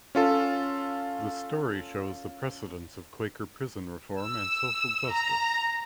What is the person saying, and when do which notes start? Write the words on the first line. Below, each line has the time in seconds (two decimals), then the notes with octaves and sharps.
The story shows the precedence of Quaker prison reform and social justice.
0.15 C#4 F4 A4
4.21 E6
5.10 A#5